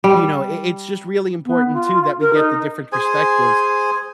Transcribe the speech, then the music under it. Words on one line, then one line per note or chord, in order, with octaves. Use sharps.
you know, i it's just really important too that we get the different perspectives
G3
B3
F4
A#4
D#4
G#4 C5 G#5